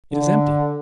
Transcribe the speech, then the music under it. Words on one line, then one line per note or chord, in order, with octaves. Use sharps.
It is empty.
D3